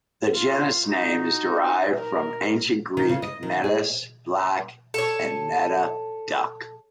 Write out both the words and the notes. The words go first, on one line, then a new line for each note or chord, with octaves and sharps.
The genus name is derived from Ancient Greek "melas", "black", and "netta", "duck".
F4
D#4 F#4
A#4
D#3
C#3
D#5
D#3
G#4
A4 C#5